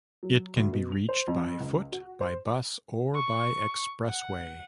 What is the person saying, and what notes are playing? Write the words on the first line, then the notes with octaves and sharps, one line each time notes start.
It can be reached by foot, by bus or by expressway.
F#3
D2
B2
F7
C5
F2
C#2
F#4
C5
C#6
F#5